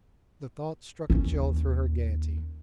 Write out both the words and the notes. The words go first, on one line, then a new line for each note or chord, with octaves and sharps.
The thought struck a chill through her gaiety.
D#2 C#4